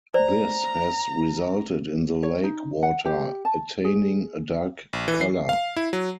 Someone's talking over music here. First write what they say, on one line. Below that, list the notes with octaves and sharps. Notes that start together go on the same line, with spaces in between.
This has resulted in the lake water attaining a dark colour.
C5 D5 A#5
C#5
D#4
F#5
G4
A5
G#4
A#1
E3
C7
F5
E4
F#3